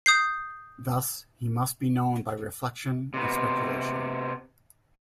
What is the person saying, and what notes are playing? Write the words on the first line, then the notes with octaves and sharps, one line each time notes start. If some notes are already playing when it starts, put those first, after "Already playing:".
Thus, He must be known by reflection and speculation.
D#6 G6 C7
C3 B3